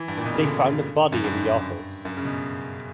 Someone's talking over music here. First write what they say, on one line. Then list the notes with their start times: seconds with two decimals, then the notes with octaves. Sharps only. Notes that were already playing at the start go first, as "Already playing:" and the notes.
They've found a body in the office.
Already playing: E3
0.08 G2
0.17 A#2
0.25 B2
0.34 C#3
0.44 D3
1.12 F#2
1.24 G2
2.05 F#2
2.17 C#3
2.25 B2